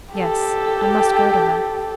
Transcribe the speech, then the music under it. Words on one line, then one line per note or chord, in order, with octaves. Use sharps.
"Yes, I must go to her."
G4 A4